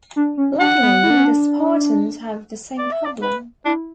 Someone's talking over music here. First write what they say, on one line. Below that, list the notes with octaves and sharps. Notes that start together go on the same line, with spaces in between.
Luckily, the Spartans have the same problem.
D4
C#4
D4 F#5
B3
E4
D4
C#4
D4
D5
E5
D5
B4
D4 E4